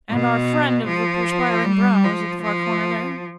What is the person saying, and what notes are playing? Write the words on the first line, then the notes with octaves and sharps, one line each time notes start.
'And our friend of the perspiring brow is at the far corner there?
B2
F3
G3
F3
F3